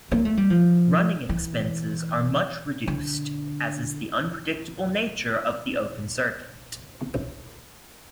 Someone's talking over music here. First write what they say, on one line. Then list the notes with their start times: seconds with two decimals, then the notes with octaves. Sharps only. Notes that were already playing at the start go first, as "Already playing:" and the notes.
Running expenses are much reduced, as is the unpredictable nature of the open circuit.
0.12 A#3
0.25 A3
0.37 G3
0.50 F3
1.29 E3
2.88 D3